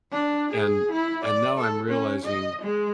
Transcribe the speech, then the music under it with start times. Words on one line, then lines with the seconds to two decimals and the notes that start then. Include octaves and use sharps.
And and now I'm realizing,
0.12 D4
0.52 G#4
0.91 E4
1.25 D5
1.58 A4
1.89 C#4
2.25 D#5
2.62 G#3